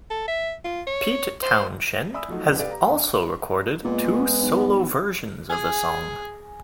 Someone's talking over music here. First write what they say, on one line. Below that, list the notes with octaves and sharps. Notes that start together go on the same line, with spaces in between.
Pete Townshend has also recorded two solo versions of the song.
A4
E5
F4
C#5
C5
D5 E5 G#5 B5 D#6 E6
F3 F#3 A3 D#4 F#4
D#1 F#2 B2 F3 D#4 B4
G4 A4 B4 D5 F5
G4 A#5
E2
A#2 G#3 B3
B1
G#4 G#5